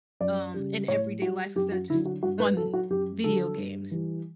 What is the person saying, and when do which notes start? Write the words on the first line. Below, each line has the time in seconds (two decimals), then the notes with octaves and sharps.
um, in everyday life instead of just on video games,
0.20 F#2 D5
0.54 C#3 G3
0.88 A2 C#5
1.21 G3 F#4
1.55 F#2 G4
1.72 F#4
1.89 D3 E4
1.94 F#3
2.06 F#4
2.23 G2 F#4
2.40 B4
2.57 F#3 A4
2.74 F#4
2.90 F#2 G4
3.24 D3 F#3 A4
3.58 G2
3.91 E3 G3